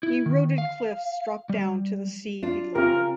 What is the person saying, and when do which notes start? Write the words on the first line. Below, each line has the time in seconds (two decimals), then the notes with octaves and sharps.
Eroded cliffs drop down to the sea below.
0.03 E4
0.26 D#3
0.58 F5
1.49 G3
2.43 D4 F4
2.75 C#3 C4 F4 G4 A#4